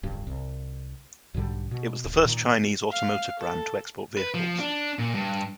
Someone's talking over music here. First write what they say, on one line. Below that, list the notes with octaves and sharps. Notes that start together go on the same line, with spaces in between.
It was the first Chinese automotive brand to export vehicles.
D1 G1 G2 C#3
C2
B1 G#2 D3 G3
B2
D1
A#2 D#3
F5
A4
B4
F3
D4
A#2
G2